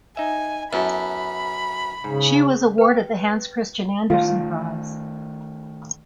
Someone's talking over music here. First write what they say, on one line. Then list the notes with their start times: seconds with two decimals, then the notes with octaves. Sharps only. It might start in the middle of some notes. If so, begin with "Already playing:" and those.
She was awarded the Hans Christian Andersen Prize.
0.17 D#4 E5 G#5
0.73 F#2 B3 E4 A4 B5
2.04 G#2 C#3
2.78 B4 G5
4.10 D#3 A3 F4